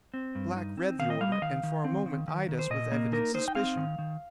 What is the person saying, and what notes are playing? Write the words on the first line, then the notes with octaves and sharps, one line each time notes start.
The black read the order, and for a moment eyed us with evident suspicion.
C4
G2
D#4
C4
D#3 F5
D#5
G3 F5
D#5
D#3 F5
D#3
C4
D#3
D#3
D#3
C5
A#2 D#5
A#3
D#4 A#4
D#4 C5
G5
C4 F5
D#3
D#3